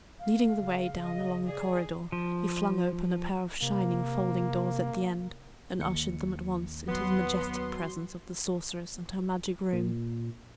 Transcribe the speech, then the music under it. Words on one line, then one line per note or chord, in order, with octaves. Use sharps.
Leading the way down along a corridor, he flung open a pair of shining folding-doors at the end, and ushered them at once into the majestic presence of the sorceress and her magic room.
F5
C#3
D#5
G#4 D5
F3
C3 A#3
D#2 C#7
F#3 B3 C6
A#2